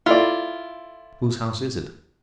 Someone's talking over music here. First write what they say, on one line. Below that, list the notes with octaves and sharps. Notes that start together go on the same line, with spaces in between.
"Whose house is it?"
E4 F4 A4 D5